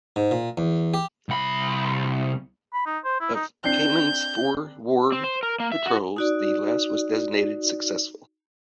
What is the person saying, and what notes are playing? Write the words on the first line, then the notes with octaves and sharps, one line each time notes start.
Of "Caiman"s four war patrols, the last was designated "successful".
G#2
A#2
E2
G4
C2 B5
B5
D#4
C5
E4
D#4
C4 D4 G6 C7
C4
C5
A#4
A#3
E5
F#4
D#4 F#4 D5